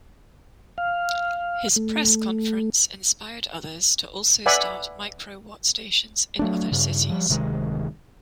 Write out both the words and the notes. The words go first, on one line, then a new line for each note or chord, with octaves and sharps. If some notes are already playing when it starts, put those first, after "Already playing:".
His press conference inspired others to also start microwatt stations in other cities.
F5
A3
B4 D5 E5 F#5 G#5 B5
F#3 A3 D4
G2 C#3
F3 G3
D1 C3 D#3 G#3